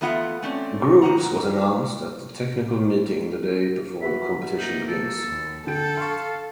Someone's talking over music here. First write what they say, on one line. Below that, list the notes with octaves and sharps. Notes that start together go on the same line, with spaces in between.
Groups was announced at the technical meeting the day before the competition begins.
E2 A3 B3 F4 F#5
A3 C4 C#4 D5
G#2 D#3 F#5 A#5
F#4 B4 E5 B5
A#3 D#4
A4
D#2
D3 A4 G5 D7
F5 C6 C#6